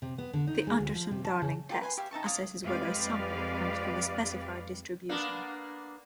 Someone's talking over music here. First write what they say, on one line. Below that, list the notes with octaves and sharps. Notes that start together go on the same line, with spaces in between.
The Anderson-Darling test assesses whether a sample comes from a specified distribution.
C3
B3
D3
D#4
G#3
D2
F3
C3
A5
C#3
F4 G4 A4 A#4
B4 G#5 C6
G4 C#5 E5 F5
D#4 E5 A5 C#6
C#5 D5 F5 D#6
F2 G#3 G4 B4 D5 F5
A#3 B3 D4